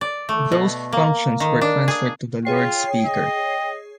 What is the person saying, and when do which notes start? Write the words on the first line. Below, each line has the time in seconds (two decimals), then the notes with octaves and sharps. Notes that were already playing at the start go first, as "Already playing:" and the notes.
Those functions were transferred to the Lord Speaker.
0.01 D5
0.29 A3
0.52 B2
0.93 A#3
1.40 D#3
1.61 D4
1.88 G#4
2.45 F4 G#4 C#5 G5 C7
3.06 D#5